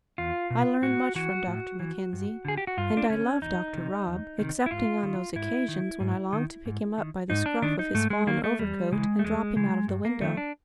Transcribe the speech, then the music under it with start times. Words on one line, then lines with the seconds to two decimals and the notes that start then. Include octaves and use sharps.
I learn much from Dr. Mackenzie, and I love Dr. Rob, excepting on those occasions when I long to pick him up by the scruff of his fawn overcoat and drop him out of the window.
0.18 E2 F4
0.50 B2
0.82 A2 F#4
1.15 E3 F#4
1.47 A2
1.80 E3
2.13 G2
2.45 D3 G#4
2.58 G4
2.67 F#4
2.77 G2 F4
2.97 D4
3.10 D3 C#4
3.42 E2 D#4
3.74 C3 D#3
4.07 E2
4.39 C3 D#3
4.66 E4
4.71 G#2 F4
5.03 D#3
5.36 G#2 E4
5.68 D#3
6.00 G#2
6.33 D#3
6.66 G#2
6.98 D#3
7.30 G#2 D#4
7.46 D4
7.62 D#3 D4
7.79 D#4
7.94 G#2 A3
8.10 G#3
8.27 D#3 A#3
8.44 A3
8.59 E2 G3
8.92 C#3 E3 G#3
9.19 A3
9.24 E2 G#3
9.56 C#3 E3 G#3
9.88 G2
10.05 A#3
10.21 D#3 A3
10.37 D4